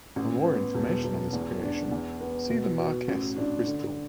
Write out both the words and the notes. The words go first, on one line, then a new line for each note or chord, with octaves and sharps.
For more information on this creation, see the Marquess of Bristol.
A1
B3
E1
E1
E2
D4
E2
B3
B2
F#4
A1
D4
D3